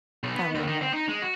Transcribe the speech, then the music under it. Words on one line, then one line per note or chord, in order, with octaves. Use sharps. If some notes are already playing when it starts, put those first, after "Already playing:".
Oh, I know,
B1
B3
D#2
D#3
C4
D#4
G#3
F#4